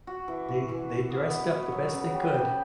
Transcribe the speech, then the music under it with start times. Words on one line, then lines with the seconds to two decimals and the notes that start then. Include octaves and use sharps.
They they dressed up the best they could.
0.07 F#4
0.28 E3
0.49 F#4
0.69 E3
0.89 F#4
1.10 B3
1.31 B3
1.51 F#4
1.72 F#3
1.93 C#3
2.14 G4
2.34 G4